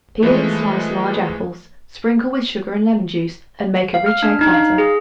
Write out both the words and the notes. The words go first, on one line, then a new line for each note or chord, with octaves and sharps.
Peel and slice large apples; sprinkle with sugar and lemon-juice and make a rich egg batter.
E3 F3 G#3 A3
F5
F6
D4
D#4
F5
G#4